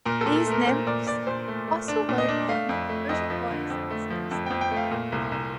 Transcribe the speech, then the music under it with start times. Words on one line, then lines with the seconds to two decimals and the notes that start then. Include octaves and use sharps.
These nymphs also lured young, virgin boys and seduced them with their beauty.
0.05 A#2 A#4
0.21 A#2 A4
0.36 A4
0.46 A3
0.51 A#4
0.67 A#2 C5
0.87 A#2 D5
1.06 A#2 D5
1.27 A#2 C5
1.48 A3
1.68 A3
1.88 D4
2.09 A#2
2.18 D#5
2.29 D4
2.48 A3 F5
2.69 F2
2.89 A3
3.09 F2 D#5
3.30 F3
3.50 D3
3.70 F2
3.91 A3
4.10 F3
4.31 F2 A5
4.46 F2 G5
4.61 G5
4.71 A3
4.77 F5
4.91 A#2
5.12 C2
5.32 C2